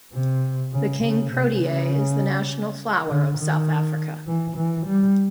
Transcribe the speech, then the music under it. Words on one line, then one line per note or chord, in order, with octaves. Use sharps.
The king protea is the national flower of South Africa.
C3
C#3
C#3
C3
C#3
D3
D#3
E3
E3
G3